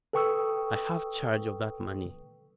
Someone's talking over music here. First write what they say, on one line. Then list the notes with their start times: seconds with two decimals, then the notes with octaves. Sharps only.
I have charge of that money.
0.13 A4 B4 G5 C#6 D#6 E6